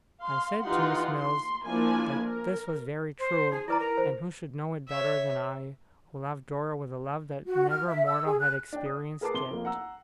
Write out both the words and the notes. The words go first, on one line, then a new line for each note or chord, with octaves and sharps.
I said to Miss Mills that this was very true, and who should know it better than I, who loved Dora with a love that never mortal had experienced yet?
F5 C6
E3 D#4 F4 G4 F#5 C6
C6
F3 A#3 D4 E4 G#5
A#4
C5
D#4 G#4
E4 B4 D5 A#5
A#4
C5
C#5 E5
F#4
F6
E5
E6
G#4
F#6
D4 G5
D#6
G#4 A#4 B4 A5 D6 C7
C3 C6 D6 G7
F2 A#3 F5
F#5 A#5 E6